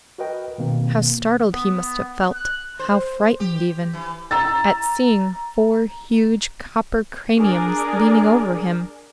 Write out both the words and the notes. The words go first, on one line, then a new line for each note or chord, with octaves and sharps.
How startled he must have felt, how frightened even, at seeing four huge, copper craniums leaning over him!
F#4 A#4 B4 D#5 G5
B2 D#3 A#3 C4
B3
F#6
C5
G4
E3
A#5 E6 A6
D4 G#4 A#4 D5